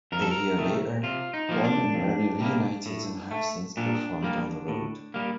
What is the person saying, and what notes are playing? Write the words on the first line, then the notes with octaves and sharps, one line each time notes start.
A year later, Ron and Ernie reunited and have since performed on the road.
F2 A#4
A4
A#4
C3 D#3 A3
C3 F4
D#4
F3 A#3
D4
F2
C3 G3 A#3
A2
A3
A#2 D4
G3 A#3
A2
G3 A#3